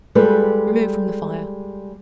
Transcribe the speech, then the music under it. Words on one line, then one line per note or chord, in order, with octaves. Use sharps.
Remove from the fire.
G3 G#3 F4 A4 B4